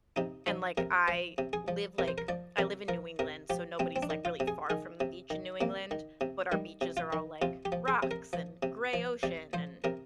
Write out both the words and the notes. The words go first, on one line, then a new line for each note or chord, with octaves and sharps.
and, like, I live, like I live in New England, so nobody's, like, really far from the beach in New England, but our beaches are all, like, rocks and gray ocean and,
C3 D#4
F3 D#4
C3 A#4
F3 C5
C3
G#4
F3
C3 A#4
C5
A#4
F3 D5
C3 A#4
F3 A#4
C3 A#4
F3 G4
C3 C4
C4
D4
D#3
F4
C3
G#4
D#3 G#4
C3
D#3
C3 A#3
D#3
C3
D#3 G3
C3
F4
D#3
C3 F4
G4
F3
G#4
C3
A#4
F3
C3
F3
C3 D5
F3 C5
C3 A#4